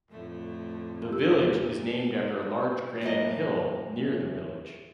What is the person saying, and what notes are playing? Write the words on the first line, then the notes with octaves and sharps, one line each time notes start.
The village is named after a large granite hill near the village.
F2 A2 D3 A3
A#2 G4 E6
F#2 A2 A#3 D#5